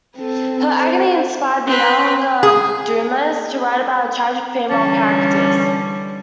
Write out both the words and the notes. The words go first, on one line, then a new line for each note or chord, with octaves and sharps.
Her agony inspired the younger Dumas to write about tragic female characters.
C4 A4
C5
C4 B4
G#4
D3 E3 G3 C#4 A5